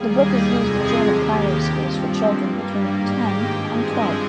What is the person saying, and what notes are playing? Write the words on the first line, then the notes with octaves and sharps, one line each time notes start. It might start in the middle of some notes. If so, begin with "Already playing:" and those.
The book is used in German primary schools for children between ten and twelve.
Already playing: D#2 D#3 G3 A#3 G#4
G4
F2 C3 F3 G#3 C4 G#4
D#2 D#3 A#3 G4
G2 F3 C4
G2 G3 A#3
G#2 D#3 A#3 G4
G2 F3 G#3 C4 G#4